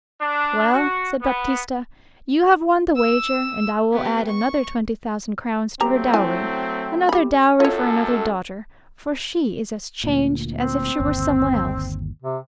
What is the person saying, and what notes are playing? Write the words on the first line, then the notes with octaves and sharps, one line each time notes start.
"Well," said Baptista, "you have won the wager, and I will add another twenty thousand crowns to her dowry--another dowry for another daughter--for she is as changed as if she were someone else."
D4
F#4
B3
E6
B3 G4
C#6
F#3 A3 C4 G4 A#5
E4 G#5
G4 B5
F#2 F4 A4 C#5
D2 A#2
C4
G1 D#2
C3